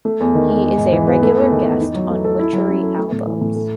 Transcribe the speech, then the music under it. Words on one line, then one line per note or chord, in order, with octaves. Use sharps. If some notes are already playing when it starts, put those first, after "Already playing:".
He is a regular guest on Witchery albums.
A3
E2
D#3
E2
G#3
G#2
E3
B3
A3
E2
D#3
E2
D#4
F#3
A3
A4
E4
F#3
C#4
A4
A3
A2
E3
A2
A3